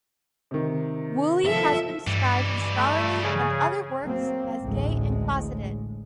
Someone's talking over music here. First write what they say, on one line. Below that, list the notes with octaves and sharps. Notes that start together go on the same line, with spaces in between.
Woolley has been described in scholarly and other works as gay and closeted.
C3 D#3
F3 A4 E5
G2 E3 G3
A3
C#3 G#4
F#3 A#3 C4
A1 D2 A2 G#3